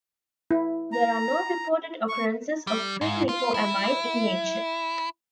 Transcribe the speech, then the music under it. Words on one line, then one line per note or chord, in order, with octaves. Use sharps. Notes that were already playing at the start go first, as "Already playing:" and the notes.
There are no reported occurrences of free lipoamide in nature.
E4
A#5
C#6
G3
G#2
F4
E4